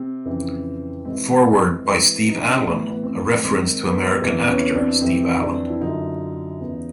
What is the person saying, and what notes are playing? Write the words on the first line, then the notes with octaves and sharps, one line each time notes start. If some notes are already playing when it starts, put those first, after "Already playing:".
Foreword by Steve Allen, a reference to American actor Steve Allen.
Already playing: C3 C4
F2 C#3 E3
G#2 E3 C4
B3
C4
G#2 E3
D#4
D4
C#4
C4
A2 E3 B3
B3
C4
G#2 D#3 C4
B3
E2 C3 E3 C4
B3 C#4
C4 D4
F2 C3 E3 C4
D#4
C4 D4
E4
F#2 D3 D#4 F4
E2 C#3 E3